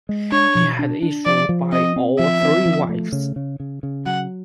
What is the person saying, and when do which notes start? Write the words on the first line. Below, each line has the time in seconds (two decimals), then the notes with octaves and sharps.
He had issue by all three wives.
0.09 G#3
0.32 D4 C#5
0.55 B2
0.79 D4
1.03 D4
1.26 F3 D5
1.49 F3
1.72 C4 D#5
1.96 C4
2.19 F3 E5
2.43 C4
2.66 F3
2.89 A3
3.12 C#3
3.36 C#3
3.60 C#3
3.83 C#3
4.06 F#3 F#5